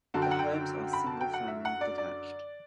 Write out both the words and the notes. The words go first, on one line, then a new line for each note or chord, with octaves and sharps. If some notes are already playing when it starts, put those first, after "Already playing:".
The homes are single-family detached.
F#2 D3 F#3 A5
G5
F#5
G5
B5
A5
G5
F#5
E5
F#5
D5
D5